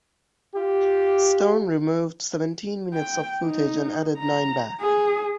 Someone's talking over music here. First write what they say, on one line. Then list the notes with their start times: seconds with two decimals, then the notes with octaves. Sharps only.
Stone removed seventeen minutes of footage and added nine back.
0.55 F4 G4
2.94 G5
3.44 D#4
4.18 A#5
4.81 G#4